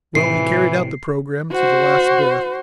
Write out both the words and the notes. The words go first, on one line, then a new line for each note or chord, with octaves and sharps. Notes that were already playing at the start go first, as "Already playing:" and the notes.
Well, he carried out the programme to the last breath.
A2 C3 E3 C7
F#4 C5